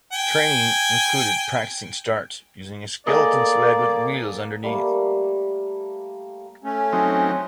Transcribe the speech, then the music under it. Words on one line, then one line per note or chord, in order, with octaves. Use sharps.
Training included practicing starts using a skeleton sled with wheels underneath.
G5 G#5
A3 A#3 G#4 D5 D#5
G3 A3 A#3
A3 C#4
F#3 C4 D#4